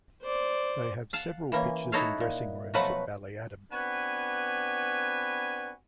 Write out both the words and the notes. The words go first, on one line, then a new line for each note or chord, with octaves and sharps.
They have several pitches and dressing rooms at Ballyadam.
C5 D5
F5 F#5 A5
E3 A#3 C#4
D#4 E4 F#4 A4 C#5 F5
A#2
B2 F3 F#3 A3 B4 F#5
B3 C4 D4 F#4 B4 G#5